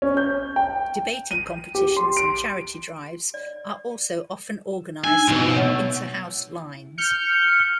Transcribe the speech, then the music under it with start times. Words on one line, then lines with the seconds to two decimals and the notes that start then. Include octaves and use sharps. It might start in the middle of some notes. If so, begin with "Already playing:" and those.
Debating competitions and charity drives are also often organised along inter-house lines.
0.02 C#4
0.17 G6
0.56 G5
1.31 D#7
1.75 G4
1.97 C6
2.17 D7
3.34 D5
5.04 D4 D#4 G#5 E6
5.28 B1 B2
5.55 A3 C#5 F#5
6.98 F6 G6 C#7